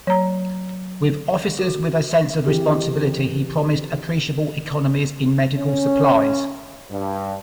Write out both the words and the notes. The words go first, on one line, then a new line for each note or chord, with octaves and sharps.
With officers with a sense of responsibility he promised appreciable economies in medical supplies.
F#3 C#5 A#5
F#4
D#3 E3 C4 G4 G#4
C#4
G2